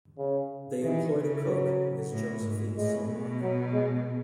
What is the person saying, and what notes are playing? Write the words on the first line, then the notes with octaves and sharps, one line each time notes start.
They employed a cook, Ms. Josephine Somach.
C#3
D#3 E3
C#3
F#3
A2
G#2
A2 G#3
B2
F#3
G#3